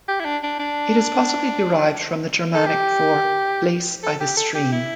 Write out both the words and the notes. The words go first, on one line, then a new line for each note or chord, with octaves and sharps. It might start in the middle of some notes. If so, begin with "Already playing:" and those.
It is possibly derived from the Germanic for 'place by the stream'.
G4
E4
D4
D4
D4
A4
G4
A4
G4
A4
G4
E4